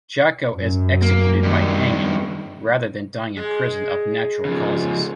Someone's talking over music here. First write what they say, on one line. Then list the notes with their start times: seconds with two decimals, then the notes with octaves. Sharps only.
Jacko is executed by hanging, rather than dying in prison of natural causes.
0.54 F#2
1.02 A#3
1.43 G2 D#3
3.37 G#3
4.45 C#3 F3